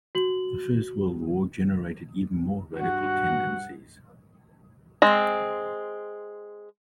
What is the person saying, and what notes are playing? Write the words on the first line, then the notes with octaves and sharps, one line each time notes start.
The First World War generated even more radical tendencies.
F#4 F#7
G2 F#4 F#5
G#3 C4